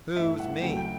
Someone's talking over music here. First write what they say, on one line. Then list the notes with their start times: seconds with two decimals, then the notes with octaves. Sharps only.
"Who's me?"
0.16 G2 E3 A3 E5
0.39 F#5
0.62 D2 C#3 F#3 A3 G5
0.77 G5